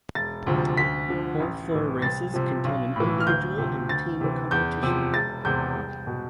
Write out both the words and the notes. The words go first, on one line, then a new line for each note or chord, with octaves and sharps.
All four races contain an individual and team competition.
E1 A6
D2 C3 F3
D2 B6
D3 F3
A1
A2 E3
C2 A6
C3 F3
B1
A2 E3
F6
D2 G6
C3 F3
D2 A6
C3 E3
E2 G6
C3 F3
E1 A6
E2 C3 G6
C2
B2